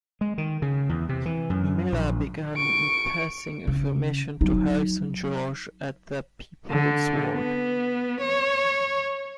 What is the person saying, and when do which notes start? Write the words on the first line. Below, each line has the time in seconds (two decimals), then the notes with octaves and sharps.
Miller began passing information to Harrison George at the "People's World".
0.21 G#3
0.38 D#3
0.62 C#3
0.89 E2
1.09 C3
1.26 E3
1.50 F#2
1.92 A#1
2.57 C#6 D7
3.67 C#3
4.41 F#3 D#4
6.70 D3
7.34 B3
8.21 C#5